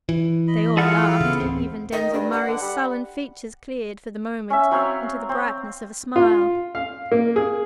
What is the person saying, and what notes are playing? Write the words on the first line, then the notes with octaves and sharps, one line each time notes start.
They all laughed,--even Denzil Murray's sullen features cleared for the moment into the brightness of a smile.
E3
D#5 B5
E4 F4 G#4 A4 F5 F#5
C#3 B3
D1 A1 C4
D#3 D#5
G2 D4
F#5
D3
G3
C#4 E5
F#3 C4 C#5 F5
C4
F4
F5
A#3
G#4